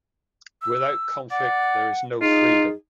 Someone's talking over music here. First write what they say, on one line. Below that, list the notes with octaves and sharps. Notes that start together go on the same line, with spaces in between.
Without conflict there is no freedom.
E6
D5 F#5
D#4 F4 G#4